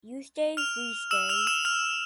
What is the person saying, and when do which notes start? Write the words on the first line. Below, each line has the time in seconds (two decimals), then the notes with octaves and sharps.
You stay, we stay.
0.57 F6 F7
1.11 E6 E7
1.29 F6 F7
1.47 E6 E7
1.65 F6 F7